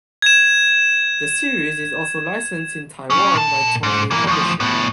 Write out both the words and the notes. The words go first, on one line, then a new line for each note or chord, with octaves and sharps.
The series is also licensed in Taiwan by Tong Li Publishing.
G#6 E7
F#3 C#4
A#2 A5
G#2
E3 A#3
D2 F3
A2 B3